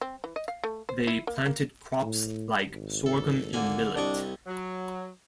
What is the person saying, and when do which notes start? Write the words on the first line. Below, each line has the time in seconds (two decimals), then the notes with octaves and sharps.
They planted crops like sorghum and millet.
0.01 C4
0.24 E3
0.36 D#5
0.48 F5
0.64 A3
0.89 C5
1.07 E4
1.27 A#3
1.46 A#3
2.03 A2
2.70 G#1
3.06 A4
3.53 D3 A#3 G#5
3.95 C2 D4 D#5 C#6
4.47 F#3